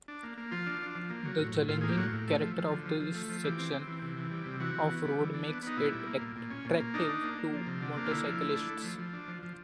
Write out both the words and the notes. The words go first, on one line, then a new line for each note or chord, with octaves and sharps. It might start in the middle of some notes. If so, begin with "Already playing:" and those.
The challenging character of this section of road makes it attractive to motorcyclists.
D4
A#3
A#3
F3 F4
D4
D4
F3
A#3
F#3
A2
A2
A2 F4
A#3 G#4
G4
A2 F#4
A2
A3
F3
F3
D3
F3
F3
A3
F3
E3 G4
C4
C4
E3
C3
E3
G3
C3
E3 F#4
E3
B3
G3
E3
D4
B3
B3 D#4
A#2 E4
G3
A#3
A#2
A#2
C#4
A#2
A#3
D4 D#4
D4
A#3
A#3
F3
C3
D4
A#3
F4
D3 E4
F3
A3
D4
A3
F3
F3
D4
F3
F3